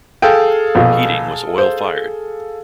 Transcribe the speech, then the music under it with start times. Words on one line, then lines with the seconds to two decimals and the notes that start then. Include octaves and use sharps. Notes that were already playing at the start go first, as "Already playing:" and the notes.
Heating was oil fired.
0.22 G#4 A4 F5 G5
0.75 A#1 B2
1.58 C5